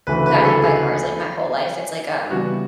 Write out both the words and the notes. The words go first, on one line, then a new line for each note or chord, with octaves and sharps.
gotten hit by, uh, cars, like, my whole life. It’s like, um
D2 C#3 E3 A3 B4
B4
G#4
A4
G#4
C#3 E3 G3 B3 F#4